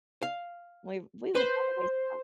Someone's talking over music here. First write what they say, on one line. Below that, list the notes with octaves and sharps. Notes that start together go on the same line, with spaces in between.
we we would always, uh
F5
B4 C5